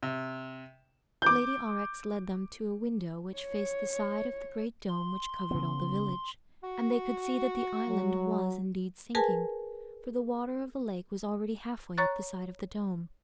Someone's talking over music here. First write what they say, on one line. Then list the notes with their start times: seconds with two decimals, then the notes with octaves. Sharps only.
Lady Aurex led them to a window which faced the side of the great dome which covered all the village, and they could see that the island was indeed sinking, for the water of the lake was already half way up the side of the dome.
0.03 C3
1.22 D6 G6
3.38 C#5
4.89 C6
5.51 C#3 B3
6.63 F#4
7.89 F#3
9.15 G#4 A#4 B4 G#5 A5
11.98 C#5 A#5 C#6 F#6 A6